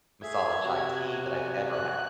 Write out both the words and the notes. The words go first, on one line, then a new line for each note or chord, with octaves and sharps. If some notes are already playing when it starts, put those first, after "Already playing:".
masala chai tea that I've ever had.
A3 G#4 E5 G#6
C3 F#4
G#5
F#6